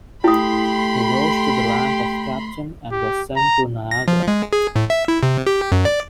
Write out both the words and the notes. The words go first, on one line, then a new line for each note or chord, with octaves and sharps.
He rose to the rank of captain and was sent to Niagara.
A3 E4 G4 B5 C6 D#6
G4
A#5
A#6
F3
G#3
G#4
A2
E5
E4
C3
G4
F#2
D5